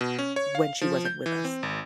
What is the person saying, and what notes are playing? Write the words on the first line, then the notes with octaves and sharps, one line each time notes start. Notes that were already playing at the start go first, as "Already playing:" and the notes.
when she wasn't with us,
B2
C#4
C#5
F5
F3
G6
E3
C4
G#1